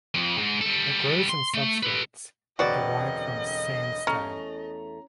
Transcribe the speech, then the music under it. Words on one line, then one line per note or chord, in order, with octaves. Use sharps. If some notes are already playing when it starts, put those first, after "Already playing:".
It grows in substrates derived from sandstone.
F2
G#2
G3 A4
C6
A3
A4 B4
E1 F#2 D3 C4 F#4 B4 D5 D#5
E2 A3 C#4 A#5